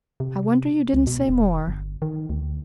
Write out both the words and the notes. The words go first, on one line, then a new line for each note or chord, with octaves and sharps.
"I wonder you didn't say more."
C3
C#2
B2
E1
G1
D#3
D2